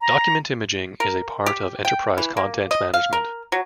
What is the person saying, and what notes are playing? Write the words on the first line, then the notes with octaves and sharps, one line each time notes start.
Document imaging is a part of enterprise content management.
A#5
A#4
G4
G5
E3
A#3
D#5
F5
A#4
F#3